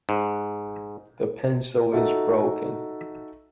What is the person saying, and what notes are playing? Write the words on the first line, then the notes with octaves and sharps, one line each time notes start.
The pencil is broken.
G#2
D#4 F#4 A4 E5